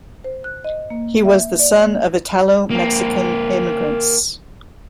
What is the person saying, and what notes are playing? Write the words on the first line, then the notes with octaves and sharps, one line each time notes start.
He was the son of Italo-Mexican immigrants.
C5
F#6
D#5
A#3
E5
D5
A#3
A#3 C4